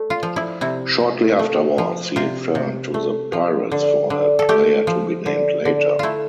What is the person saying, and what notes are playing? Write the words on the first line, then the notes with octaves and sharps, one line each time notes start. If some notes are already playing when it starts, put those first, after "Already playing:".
Shortly afterwards, he returned to the Pirates for a player to be named later.
Already playing: A3
F4
F3
E4
C3 E4
C3
A3
F3
C3 F4
C3
A3
F3
D3
D3
A4
A3 G4
F3
D3
D3
A3 E4 F4